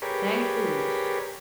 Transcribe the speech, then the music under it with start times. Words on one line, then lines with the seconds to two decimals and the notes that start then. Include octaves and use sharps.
Chang Foo's!
0.02 G4 G#4 A#4 B4 C#5 D5